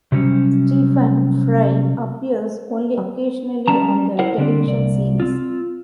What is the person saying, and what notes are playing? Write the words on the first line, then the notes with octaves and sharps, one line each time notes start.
Stephen Fry appears only occasionally on the television series.
C3 F#3 G3 C#4
G3 C#4 A5 A#5
E4 A#4 C5 C#5 F#5
D3 G3 A#3 C4 D4
C2 D5
C4 F4